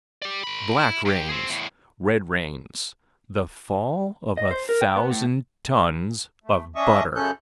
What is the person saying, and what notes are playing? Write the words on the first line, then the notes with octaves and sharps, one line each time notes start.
Black rains--red rains--the fall of a thousand tons of butter.
G4 D5
A#4 B5
E4
D#2 G4
C4 G#4
E2 A2
D#5
C5
A#4
G5
B3
A2
A3
C#4 D4 D#5 E5 C#6 D#6
F#2 C#3 C#4 A4 F#6 G6